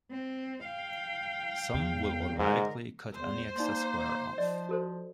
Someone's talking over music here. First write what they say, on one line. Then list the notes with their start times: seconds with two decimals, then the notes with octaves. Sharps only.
Some will automatically cut any excess wire off.
0.11 C4
0.65 F5 G5
1.74 E2
2.39 G#2 D3 A#4
3.13 E2 C5
3.56 A#3 D#4 D5 C6
4.07 D6
4.38 F3 D5 D#5
4.69 F#4 A4 C5